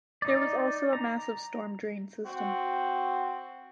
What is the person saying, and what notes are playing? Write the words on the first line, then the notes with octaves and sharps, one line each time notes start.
There was also a massive storm drain system.
D#4 D5
A#5
C4 F#4